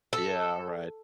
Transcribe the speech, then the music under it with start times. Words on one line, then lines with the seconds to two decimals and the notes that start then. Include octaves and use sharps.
Yeah, right.
0.13 A4